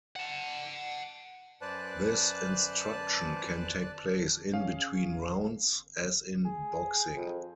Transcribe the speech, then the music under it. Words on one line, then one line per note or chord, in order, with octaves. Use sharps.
This instruction can take place in between rounds, as in boxing.
F#5 A5
F#2 B4 C5 D5 A5 F#6
C#4 G#4 F5
G#4
F2